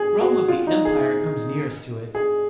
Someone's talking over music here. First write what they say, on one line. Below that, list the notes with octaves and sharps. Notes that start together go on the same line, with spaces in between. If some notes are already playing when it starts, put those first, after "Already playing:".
"Rome of the Empire comes nearest to it...."
Already playing: G#4
F#4
F4
D#4
G#4
G#4